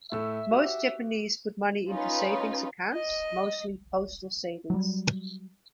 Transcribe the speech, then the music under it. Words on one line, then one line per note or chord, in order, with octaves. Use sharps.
Most Japanese put money into savings accounts, mostly postal savings.
A2 A3 E5 E6
F#4 G4
C#4 D#4 F4 B4
D#5
F#3 G3